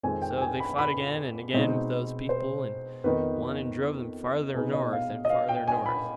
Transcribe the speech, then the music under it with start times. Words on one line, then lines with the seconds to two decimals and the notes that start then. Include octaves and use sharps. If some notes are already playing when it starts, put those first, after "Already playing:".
So they fought again and again with those people and won and drove them farther north and farther north.
0.03 F2 D#3 G#3 C4 G#5
0.22 G5
0.37 G5
0.41 G#5
0.60 B5
0.78 B5
1.53 B2 G#3 C4 D#4
2.29 C5
3.04 F2 D#3 B3 D#4 B4
4.54 B2 B3 D#4 G#4
4.73 D#5
4.92 F5
5.25 D#5
5.30 F5
5.49 G5
5.68 G#5
5.86 B5